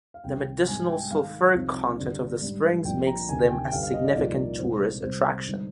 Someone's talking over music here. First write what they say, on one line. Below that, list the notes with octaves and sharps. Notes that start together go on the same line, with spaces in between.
The medicinal sulfuric content of the springs makes them a significant tourist attraction.
F5
C2 C3 D#3 G5
G#2 G3 D4 G#5
G5
G#2 D#3 G#3 F5
C2 C3 F3 C4 D#4
G1 G2 D3 G3 D4
G#2 G3 D4
A#1 A#2 F3 G5
A#5
D2 C3 D#3 G#5
G5
G5
G1 G2 D3 G3 F5
F5
D#5
D5
C2 A#2 F3 A#3 D#4 D5
C2 A#2 G#3 D#4 C5
C2 C3 G3 C5
G2 D3 G#3 D#4